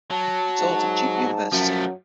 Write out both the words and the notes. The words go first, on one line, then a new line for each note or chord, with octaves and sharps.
He taught at Duke University.
F#3 A5
G#2
F#2 F3 F#3 A3